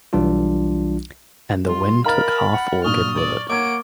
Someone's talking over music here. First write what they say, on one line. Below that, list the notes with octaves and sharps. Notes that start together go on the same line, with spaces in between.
And the wind took half orchard with it.
B1 E3 G3 D4 F4
G3 F4 C6
A#4 D#5 F5 A#5 B5 F6 A6
F#5
G2 A#2 F#3 C#6 D#6 F6 G7
D5
A#3 C#5 F#5 D6 G#6 D7